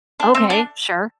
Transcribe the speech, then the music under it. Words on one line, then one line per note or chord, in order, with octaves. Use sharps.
Okay, sure.
D4
C4
D4